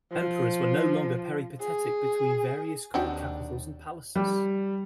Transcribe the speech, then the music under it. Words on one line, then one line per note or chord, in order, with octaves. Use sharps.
Emperors were no longer peripatetic between various court capitals and palaces.
F3
G#4
D#2 C4 D4 D#4 F#4 G4
G3